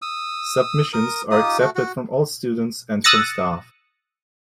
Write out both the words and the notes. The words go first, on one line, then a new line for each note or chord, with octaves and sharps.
Submissions are accepted from all students and from staff.
D#6 E6
A#4 D#6
D#4 F4 G4 D#6
A3 F#4
F#4
D#6 E6 F#6 A6 A#6 C#7